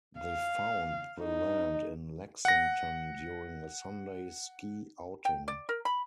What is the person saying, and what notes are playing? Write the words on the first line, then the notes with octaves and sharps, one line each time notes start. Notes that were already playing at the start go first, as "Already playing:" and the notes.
They found the land in Lexington during a Sunday ski outing.
F5
D#4
F#5 A#6
G5
D5
A#4
B5